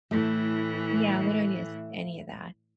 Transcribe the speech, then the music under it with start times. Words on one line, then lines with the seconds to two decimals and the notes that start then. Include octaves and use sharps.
Yeah, we don't use any of that.
0.11 A2 E3 A3 E4